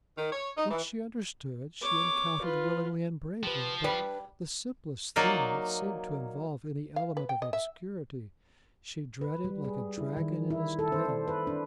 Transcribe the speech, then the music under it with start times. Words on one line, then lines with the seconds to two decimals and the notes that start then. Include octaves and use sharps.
What she understood, she encountered willingly and bravely; but, the simplest thing that seemed to involve any element of obscurity, she dreaded like a dragon in his den.
0.17 D#3
0.32 C#5
0.58 D#4
0.71 E3
1.82 C#5 D6
2.42 F4 B4
3.43 F3 G4 B4
3.84 G3 D4 B4
5.16 F#3 A#3 D#4 D5 F5
6.96 F5
7.17 B4
7.29 G5
7.42 D#5
7.53 E5
9.21 B4
9.44 G3
9.65 G#4
9.98 E4
10.17 D#3
10.50 E4
10.79 A4
10.92 C5
11.09 D5
11.28 B4
11.47 D4